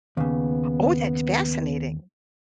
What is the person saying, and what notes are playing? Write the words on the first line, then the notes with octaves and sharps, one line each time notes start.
Oh, that's fascinating.
D#2 C#3 B3